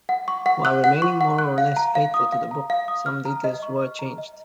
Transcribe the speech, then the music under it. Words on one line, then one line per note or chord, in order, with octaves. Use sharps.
While remaining more or less faithful to the book, some details were changed.
F#5
C#6
F#5
F#6
F#5
C#6
F#5
F#6
F5
A#5
F5
D#6
F5
A#5
F5
D#6
F6
A#5
D#5
C#6
F6
A#5
D#5